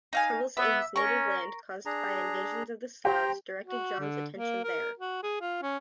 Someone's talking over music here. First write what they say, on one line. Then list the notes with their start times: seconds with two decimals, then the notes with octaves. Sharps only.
Troubles in his native land caused by invasions of Slavs directed John's attention there.
0.13 D#4 F5 G#5
0.57 B3 E5
0.96 C#4 A#4 C#6
1.86 D4 G#4 A#5
3.05 G4 C5 G5 A#5
3.65 F#4
3.99 D3
4.34 A#3
4.64 A#4
4.99 F#4
5.23 G#4
5.41 F4
5.63 C#4